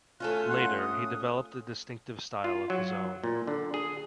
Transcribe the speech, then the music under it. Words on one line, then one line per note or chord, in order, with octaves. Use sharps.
Later he developed a distinctive style of his own.
A3 C#4 F4 G#5 F#6
F#5 C6 F#6
D#6
F4
F#3
A#2
D3
G#4